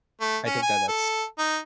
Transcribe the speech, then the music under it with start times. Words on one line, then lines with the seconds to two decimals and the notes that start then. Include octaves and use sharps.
I think that that's
0.21 A3
0.46 C#4
0.62 G#5
0.88 A4
1.39 D#4